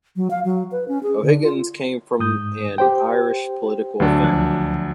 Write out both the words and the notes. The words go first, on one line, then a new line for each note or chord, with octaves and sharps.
O'Higgins came from an Irish political family.
F#3
F5
F#3
B4
C#4
G#4
D3
F4
G#2 D#6 G6
G4 C5 G5
D2 F#3 D4
C#2 F3 F#6